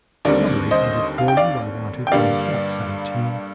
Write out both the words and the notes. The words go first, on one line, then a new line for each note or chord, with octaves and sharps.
"Number Eight Hundred Four, you are wanted on Plot Seventeen."
D#2 D3 G3 C4 A#4 D5
C5 D#5
F5
G5
D5 F5
G5
G2 D3 G3 A#3 D5 F5